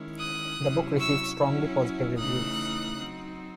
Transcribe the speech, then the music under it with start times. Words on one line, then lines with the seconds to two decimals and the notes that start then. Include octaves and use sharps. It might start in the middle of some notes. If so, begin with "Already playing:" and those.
The book received strongly positive reviews.
Already playing: D#3 G#3 C#4 E4
0.19 D#6 F#6
0.59 C3 F#3 C#4 E4
0.98 C#6 E6
1.39 F#3 C#4 E4
2.18 C#3 E3 A3 D#4 D#6 F#6
2.97 F#3 C4 D#4